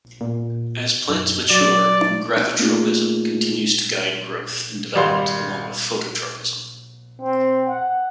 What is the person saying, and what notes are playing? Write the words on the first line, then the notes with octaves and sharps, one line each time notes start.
As plants mature, gravitropism continues to guide growth and development along with phototropism.
A#2
F#2
F#3 D5
A3 A#3 C#4 D#4 F4 G#4
G#1 G3 F5 C6
C4
F#5